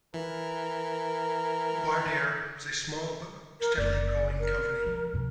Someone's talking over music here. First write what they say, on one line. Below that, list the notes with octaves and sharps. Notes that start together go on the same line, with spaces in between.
Wardair was a small but steadily growing company.
E3 A#4
A#4
F#1 D5
A#4
F3
B2 F3